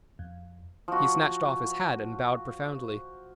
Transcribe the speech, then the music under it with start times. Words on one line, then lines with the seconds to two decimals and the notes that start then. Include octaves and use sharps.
He snatched off his hat and bowed profoundly.
0.19 F2
0.88 F3 F#4